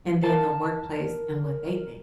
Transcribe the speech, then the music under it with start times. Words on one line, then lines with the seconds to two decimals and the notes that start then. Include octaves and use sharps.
and then the workplace and what they think?
0.23 A#4 F5 A5